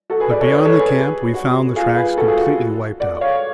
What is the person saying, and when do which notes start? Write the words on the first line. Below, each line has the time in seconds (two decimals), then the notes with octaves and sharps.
But beyond the camp we found the tracks completely wiped out.
0.10 F#4 A4
0.20 G#4 B4
0.31 B4 D5
0.41 A4 C#5
0.51 B4 D5
0.65 A4 C#5
0.79 G#4 B4
1.34 F#4
1.76 F4 G#4
1.96 G#4 B4
2.17 F#4 A4
2.28 F4 G#4
2.38 F#4
3.00 D5 F#5
3.21 C#5 F5